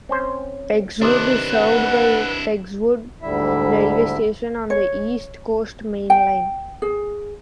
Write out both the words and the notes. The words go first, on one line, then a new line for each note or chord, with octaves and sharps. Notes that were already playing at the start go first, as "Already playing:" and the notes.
Pegswood is served by Pegswood railway station on the East Coast Main Line.
C4 C#4 C5
C3 D#3 D4 E4 B4
F#5
D2 G#2 D3 G3 E4 E5
C#5
G5
G#4